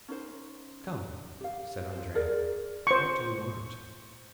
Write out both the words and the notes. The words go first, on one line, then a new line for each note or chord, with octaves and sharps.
"Come," said Andrea, "what do you want?"
C#4 D#4 C5
G4 F5
C5
G#4 A#4 D5
C5 C#6